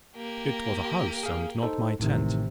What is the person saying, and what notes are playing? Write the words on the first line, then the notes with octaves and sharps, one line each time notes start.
It was a house, and not my tent!
A#3 G4
G#4 F5
D#4 A4 C5
A1 A2 C3 D#3